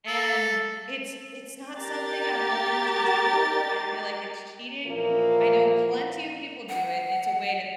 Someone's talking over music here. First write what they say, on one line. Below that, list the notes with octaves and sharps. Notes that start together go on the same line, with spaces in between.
and it's it's not something I'm willing to do. I feel like it's cheating. I know plenty of people do it, and it's a way to
A4
G4 A#4 A6
A#2 E3 F3 A#3
F#5